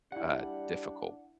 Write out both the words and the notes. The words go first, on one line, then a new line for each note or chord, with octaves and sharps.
uh, difficult.
G3 D4 E4 F5 F#5